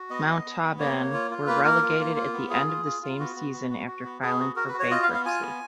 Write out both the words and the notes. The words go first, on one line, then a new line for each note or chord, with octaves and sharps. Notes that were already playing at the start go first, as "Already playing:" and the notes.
Montauban were relegated at the end of the same season after filing for bankruptcy.
Already playing: F#4
B3 D#5
B3
B3
B3
A#3 C#5
A#3
F4
F4
A#3 B4
A#3 A#4
F4
A#3
F4
B3
F4 G#4
F4
F4
F4
B3 F#4
B3
B3
F#4
F#4
B3
B3 G#4
F#4
F#4 A#4
B4
F#4
C#5
F4 D#5
F5
B3
F5
F4 G#5
B3